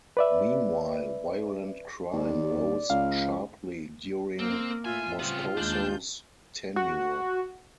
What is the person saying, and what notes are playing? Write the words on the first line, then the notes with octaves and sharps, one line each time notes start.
Meanwhile, violent crime rose sharply during Moscoso's tenure.
B4 D5 E5
D#2 D5
C#2 F5
A#3 C4
A2 F4 E5 G#5
C#3 G3 B3 C4 F4
D#2 G#3 D4 G6
F#4